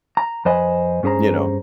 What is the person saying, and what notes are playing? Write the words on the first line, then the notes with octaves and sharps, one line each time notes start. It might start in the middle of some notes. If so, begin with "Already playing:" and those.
you know.
A#5
F2 B4 C5 D#5 G#5 B5
G2 C#4 G#4 C5 A#5